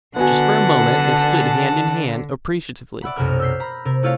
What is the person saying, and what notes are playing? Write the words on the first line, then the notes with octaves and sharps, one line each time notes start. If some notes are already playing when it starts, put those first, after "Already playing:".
Just for a moment they stood hand in hand, appreciatively....
D3 B3 F#4 F#5 G#5 A5
D5 E5 F#5 B5
B1 F#2 C3 F#4 A#4 F6
E6 F6 G6 B6 C7
A#5 B5
C3 A#4
A3 E4 F4 C#5 F5